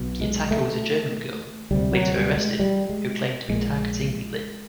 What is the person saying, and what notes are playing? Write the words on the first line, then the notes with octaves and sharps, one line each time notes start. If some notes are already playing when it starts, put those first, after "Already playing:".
The attacker was a German girl, later arrested, who claimed to be targeting Linn.
Already playing: B1 B2
G#3
A3
D2 C3 G3
F#3
G3
G#3
G3
G#3
A#1 A#2 G#3